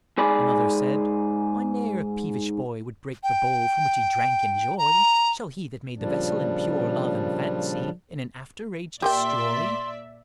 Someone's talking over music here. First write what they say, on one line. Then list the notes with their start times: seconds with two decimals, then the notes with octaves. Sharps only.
Another said--"Why, ne'er a peevish Boy Would break the Bowl from which he drank in Joy; Shall He that made the Vessel in pure Love And Fansy, in an after Rage destroy!"
0.18 G#2 G#4 D5 B5
3.23 G5
4.78 A#5
5.99 A#2 C#3 F3 G3 D4
9.02 A#2 G4 A#4 D5 E5 G5 C6